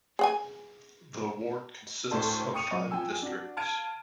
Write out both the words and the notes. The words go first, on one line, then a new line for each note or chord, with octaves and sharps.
The ward consists of five districts.
G#4 F#5 G#5
D2 A2 C5 A5
G5 C#6 D#6 C#7 D#7 F7
F#3
F3 G5 G#5 E6
D4 F#4
F5 A5 F6 G#6 D7 D#7